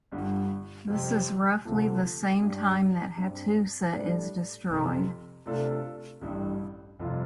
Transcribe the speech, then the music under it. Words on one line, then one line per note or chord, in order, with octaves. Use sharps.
This is roughly the same time that Hattusa is destroyed.
G1 G2 G3
F2 C3 G3 C4 G4
D2 C3 F3 A3
G2 G3 D4 G4
G2 G3 C4 G4
A2 G3 D4
F1 F2 C3
C3 A3 D4 F4 A4
A1 G2 G3
F1 F2 C3 G3 F4